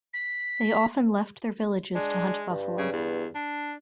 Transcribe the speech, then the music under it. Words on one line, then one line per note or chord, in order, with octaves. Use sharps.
They often left their villages to hunt buffalo.
B6
G#3 D4
G2
C#3
E2
D4